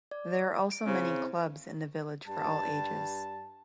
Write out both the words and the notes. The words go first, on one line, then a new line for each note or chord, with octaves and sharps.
There are also many clubs in the village for all ages.
D5
D7
C#3 C4 E4 C5
G2 G3 A5